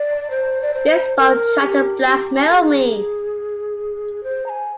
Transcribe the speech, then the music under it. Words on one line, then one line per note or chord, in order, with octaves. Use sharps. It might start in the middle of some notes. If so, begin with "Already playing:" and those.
This bum tried to blackmail me!
Already playing: D5
C5
D5
C5
A#4
G#4
G4
G4
A#4
G#4
C5
A#5
G#5